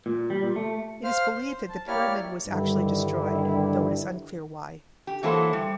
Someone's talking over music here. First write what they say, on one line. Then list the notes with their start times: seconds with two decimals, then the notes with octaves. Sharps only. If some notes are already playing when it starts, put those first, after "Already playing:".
It is believed that the pyramid was actually destroyed, though it is unclear why.
0.06 A#2
0.30 G3
0.43 A#2
0.56 A3
1.04 C5 F5 F6
1.36 C5
1.70 A5
1.88 A#3 E4 G4 C#5 D5 F6
2.46 G2 D3 D#3 G3 E4
5.07 G4
5.23 E3 F#3 A#3 E4 A4 C5
5.53 G3